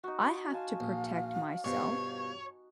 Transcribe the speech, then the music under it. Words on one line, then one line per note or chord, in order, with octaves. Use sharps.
I have to protect myself.
D#4 F#4
F5 G#5 A5 C6
A#1
G2 B2 F3 C#5